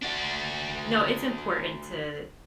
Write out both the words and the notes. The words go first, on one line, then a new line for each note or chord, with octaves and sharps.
No, it's important to
D4 F#4